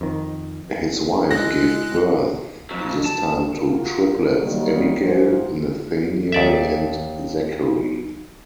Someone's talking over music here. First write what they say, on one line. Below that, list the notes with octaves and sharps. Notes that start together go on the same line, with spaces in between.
His wife gave birth this time to triplets Abigail, Nathaniel and Zachary.
F2 D#3
G#3 E4 F#4 F#6 A#6
F2 F#3
A5
F4 F#4 A#4
D#3 F#3 G3 A#3
G#2 E3 F3 F#4 C5
D#2 D5 E5